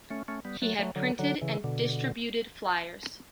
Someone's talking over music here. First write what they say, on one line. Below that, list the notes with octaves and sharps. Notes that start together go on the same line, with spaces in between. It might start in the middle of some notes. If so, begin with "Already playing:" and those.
He had printed and distributed flyers.
A3 C#4
A3 C#4
G3 B3
F#3 A3
F#3 A3
D3 F#3
D3 F#3
C#3 E3
B2 D3